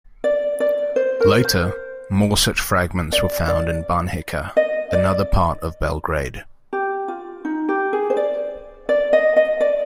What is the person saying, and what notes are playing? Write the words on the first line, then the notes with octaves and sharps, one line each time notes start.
Later, more such fragments were found in Banjica, another part of Belgrade.
D5
D5
C5
A#4
C5
D5
D5
D#5
D5
G4
F4
D#4
G4
G#4
C5
D5
D5
D#5
D#5
D5